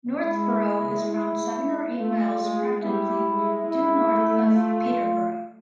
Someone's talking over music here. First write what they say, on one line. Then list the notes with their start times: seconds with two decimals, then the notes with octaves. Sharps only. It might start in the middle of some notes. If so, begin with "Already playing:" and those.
Northborough is around seven or eight miles practically due north of Peterborough.
0.22 G#3 E4
1.09 E4
1.96 A3 F4
2.39 G#3
2.82 G3 E4
3.27 G#3
3.70 E4
4.13 A3
4.56 F4